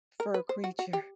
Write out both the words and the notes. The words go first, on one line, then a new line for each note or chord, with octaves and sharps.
fur creature,
A#4
B4
C5
F#4
F#4
G4